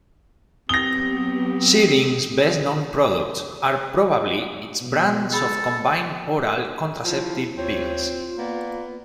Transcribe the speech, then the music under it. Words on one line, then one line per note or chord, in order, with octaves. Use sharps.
Schering's best-known products are probably its brands of combined oral contraceptive pills.
F#3 B3 C4 G4 D#6 A#6 G7
B2
G#4 A4 B5
F3 E4
D#2 C4 F4 C#5
A#3 B3 D5